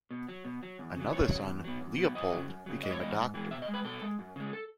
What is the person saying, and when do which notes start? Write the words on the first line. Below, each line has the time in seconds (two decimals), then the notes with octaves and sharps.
Another son, Leopold, became a doctor.
0.11 B2
0.28 F#3
0.45 B2
0.63 F#3
0.79 E2
0.96 C#3 F#3
1.13 E2 C#5
1.30 C#3 F#3
1.47 E2
1.64 B2 F#3
1.81 E2
1.98 B2 F#3
2.15 F#2 D#5
2.32 C#3 F#3
2.49 F#2
2.66 C#3 F#3
2.83 G#2 D#5
2.91 C#5
2.99 E3 G#3 D#5
3.17 G#2
3.34 E3 G#3
3.51 B2 E5
3.62 D#5
3.68 G#3
3.74 B4
3.85 B2 A4
4.02 G#3
4.19 F#2
4.36 C#3 G#3
4.53 A4